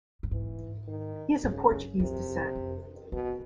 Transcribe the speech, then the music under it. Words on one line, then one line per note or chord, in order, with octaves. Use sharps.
He is of Portuguese descent.
G2
G#2 E3
D#3
G2 C#3
F#2
F2 C3
F2
F2 B2